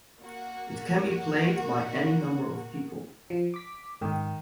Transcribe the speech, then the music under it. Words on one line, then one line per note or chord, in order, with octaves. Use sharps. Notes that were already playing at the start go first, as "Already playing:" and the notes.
It can be played by any number of people.
A#3 F#4
F3
D6 B6
G#2 D#3